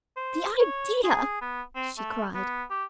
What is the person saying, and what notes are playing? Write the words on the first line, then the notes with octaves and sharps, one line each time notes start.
"The idea!" she cried.
C5
C#5
G#4
B3
C4
A3
B3
G4